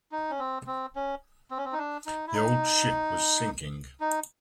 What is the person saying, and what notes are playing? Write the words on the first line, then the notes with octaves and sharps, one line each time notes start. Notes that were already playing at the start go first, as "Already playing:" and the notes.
The old ship was sinking.
D#4
C#4
C4
C4
C#4
C4
C#4
C4
D#4
D4
D#4
E4
D#4
D#4